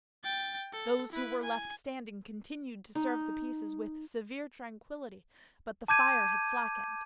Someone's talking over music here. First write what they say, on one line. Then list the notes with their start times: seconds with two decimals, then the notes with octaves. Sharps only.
Those who were left standing continued to serve the pieces with severe tranquillity, but the fire had slackened.
0.24 G5 A6
0.73 A4
1.12 E4 B4
1.43 G#5
2.95 D#4
5.88 A5 D6 G6 G#6 D#7